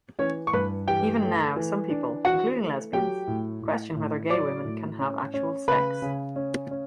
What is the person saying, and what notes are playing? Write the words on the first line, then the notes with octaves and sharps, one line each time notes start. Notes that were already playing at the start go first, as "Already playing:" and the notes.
Even now, some people-including lesbians-question whether gay women can have actual sex.
E3 C#4 C#5
C#6
G2 B4 B5
E3 G4 G5
A3
E3
D4
E3 F#4 F#5
A3
F#3 G4 G5
A2
A2
A2
F#3 D5 D6
A2
C#4
C#4
C#3 B4 B5
C#3
C#4
C#4